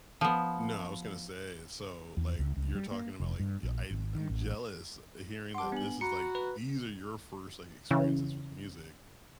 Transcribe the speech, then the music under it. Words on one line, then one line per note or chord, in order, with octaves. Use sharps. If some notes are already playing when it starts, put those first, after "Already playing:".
No, I was gonna say, so, like, you're talking about, like, y I I'm jealous hearing that this is, like these are your first, like, experiences with music.
F3 B3
E2
C#2
C#2
G3
A#3
F1
G2
A#1
G#1
D#3
A1
G3 F#5 A5 C6 D6
B3 D4 G#5 F#7
F#4 A#5 B5 C#7
B4
C#3 E3